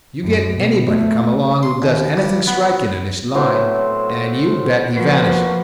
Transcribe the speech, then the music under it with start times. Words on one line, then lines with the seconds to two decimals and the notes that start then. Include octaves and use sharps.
You get anybody come along who does anything striking in this line, and, you bet, he vanishes.
0.21 F#2
0.56 B2
0.89 A3
1.63 C6
1.82 D#2
2.17 G2
2.47 B3
3.34 A2 F#3 B3 C4
4.94 F3 A#3 F#4 B4